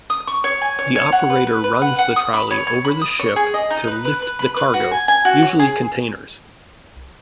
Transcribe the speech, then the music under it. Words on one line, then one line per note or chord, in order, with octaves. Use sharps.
The operator runs the trolley over the ship to lift the cargo, usually containers.
D#6
C#6
C#5
G#5
C#5
C#5
F#5
B4
B4
B4
F#5
F#5
D#6
B5
C#5
C#5
B5
D#6
C#5
G#4
D#5
D#4
B4
B4
B4
B5
B4
F#4
G#5
G#5
F#4
C#5
G#4